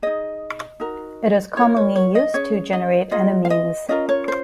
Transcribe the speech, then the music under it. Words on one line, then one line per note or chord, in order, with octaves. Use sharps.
It is commonly used to generate enamines.
D#4 G#4 D#5
D#4 F#4 A#4
F4 A#4 C#5
C#5
C#5
D#5
C#4 G#4 C#5
D#5
F4 G#4 D#5
F5
D#5
C#4 F4 A#4 D#5
C#5
C5